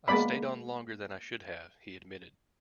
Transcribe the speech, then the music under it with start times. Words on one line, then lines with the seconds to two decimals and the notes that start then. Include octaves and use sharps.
I stayed on longer than I should have, he admitted.
0.08 G#3 A#3 B3 D5 B5